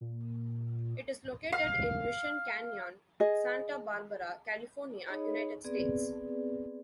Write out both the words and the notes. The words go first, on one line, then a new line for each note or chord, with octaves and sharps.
It is located in Mission Canyon, Santa Barbara, California, United States.
A#2
F5
G#4 D#5
D#4 G#4 C#5 D#5 B5
B3 C4 G#4 B4 D5